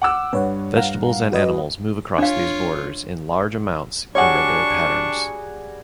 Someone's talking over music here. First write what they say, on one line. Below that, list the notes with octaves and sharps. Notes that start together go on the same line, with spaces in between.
Vegetables and animals move across these borders in large amounts in regular patterns.
F#5 D6 E6
G2 B4 C#5 F#5
F5 F#5 A#5
F#4 B4 D#5
D4 F4 C#5 F5
G3 D4 F#4 G#4 C#5 F#5 C#6